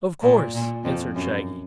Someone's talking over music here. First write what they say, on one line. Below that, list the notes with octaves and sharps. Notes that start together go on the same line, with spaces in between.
"Of course," answered Shaggy.
A#2
A#2
F2
F#2